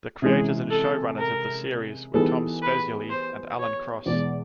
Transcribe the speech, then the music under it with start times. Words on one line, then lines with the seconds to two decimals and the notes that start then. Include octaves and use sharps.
The creators and showrunners of the series were Tom Spezialy and Alan Cross.
0.22 C3 E3 G#3 C#4 G#4
0.70 A4
1.18 A#4
2.14 E3 G3 B3 D#4 G#4 A4
2.62 B4
3.10 C5
3.59 C#5
4.06 E2 B2 G#3 D5